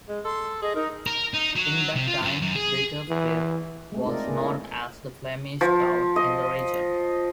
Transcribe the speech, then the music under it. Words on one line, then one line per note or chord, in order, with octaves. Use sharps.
In that time Bitterfeld was known as "the Flemish town" in the region.
G#3
A4 C6
G#4 D#5
D#4 A#4
A#4
D#4
F#3
C3
F4
F#2
F#2
G#4
E3
G#3 A3 C4
D#4 F4 A#4 D5 D#5
A#3 G#4 B4
E4 A4 A#4 C#5
F3
D#5